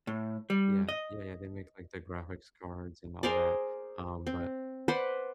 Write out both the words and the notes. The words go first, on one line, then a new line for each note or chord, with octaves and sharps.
Yeah, yeah, yeah, they make, like, the graphics cards, and all that, um, but
A2
G3
D#5
G#4 A#4 C5 D5
C4
B4 C5 D5 F#5